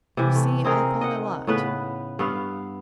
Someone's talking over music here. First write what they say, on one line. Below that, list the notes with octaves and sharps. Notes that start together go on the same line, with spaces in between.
You see, I thought a lot.
C3 E3
A3
C4 D#4 G#4 A#4
D#5 F#5
A2 C#3 B3 B4
G2 B3 F5